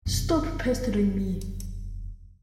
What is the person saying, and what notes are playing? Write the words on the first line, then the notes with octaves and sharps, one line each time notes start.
Stop pestering me!
E1 F#2